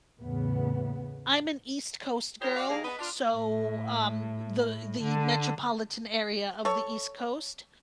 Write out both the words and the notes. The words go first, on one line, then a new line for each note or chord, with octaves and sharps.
I'm an East Coast girl, so, um, the the metropolitan area of the East Coast,
E2 A2 C#3 B3
E4 G4 G#4 A#4 C5 C#5
F#4 D5 F5
D#2 A#3 G#4
B3 B4 D#5
D4 F4
A2
D3
A4 C#5